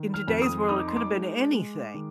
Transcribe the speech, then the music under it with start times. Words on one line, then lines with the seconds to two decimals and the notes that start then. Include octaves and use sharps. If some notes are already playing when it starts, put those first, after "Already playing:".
in today's world, it could have been anything,
Already playing: D#3
0.14 F6
0.27 F2
0.42 D#6
0.69 D#4 D#6
0.78 D6
0.88 C6
0.97 D6
1.11 G#3
1.52 G#3
1.94 D#3